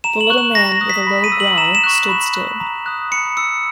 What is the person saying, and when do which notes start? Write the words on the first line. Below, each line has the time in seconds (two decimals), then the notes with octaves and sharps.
The little man, with a low growl, stood still.
0.04 A#5 E7
0.21 F#7
0.30 C#6 F#6
0.38 E7
0.55 A#5 A#6
0.72 A#6
0.81 D#6 F#6
0.89 B6
1.07 B5
1.24 D#7
1.32 E6
1.40 F#7
1.58 A#5 E7
1.75 E7
1.84 C#6 F#6
1.92 E7
2.09 B5
2.35 F#6
2.60 A#5
2.86 D#6 F#6
3.11 B5 C#7
3.37 E6 C#7